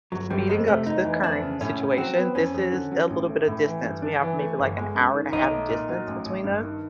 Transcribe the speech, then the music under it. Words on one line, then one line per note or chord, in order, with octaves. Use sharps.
speeding up to the current situation, this is a little bit of distance, we have maybe like an hour and a half distance between us,
G1 F#3
G1 G3
F2 G#3
C3 A3
F1 D#4
E3
F2 D4
C#3
A2 C#4
A2
F#3 C4
B3
F2 C#4
F2
D3
F#3
A1
A3
A2
E3
G2
D4
E3
A3
G1
G#3
F#2
D#3
B1 D#4
A3
A#2
F#3
A1
A1
G2
D#3